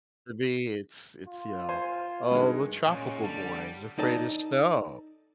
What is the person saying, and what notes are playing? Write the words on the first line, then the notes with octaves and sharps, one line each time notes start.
To me it's it's, you know, "Oh, the tropical boy is afraid of snow,"
F4
C5 G#5
G2 D#3 G#3
A#2 G#3 C#4
D3 G3 A5
D#4 A4 D5 D#5 A5